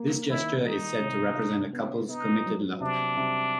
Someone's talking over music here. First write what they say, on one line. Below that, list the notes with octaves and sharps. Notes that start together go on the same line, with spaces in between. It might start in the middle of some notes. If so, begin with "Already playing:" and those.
This gesture is said to represent a couple's committed love.
Already playing: A#3
D#3 E4
G3 D#4
C3
D4
B3
B3 D#4
F#3
C3 D4
C3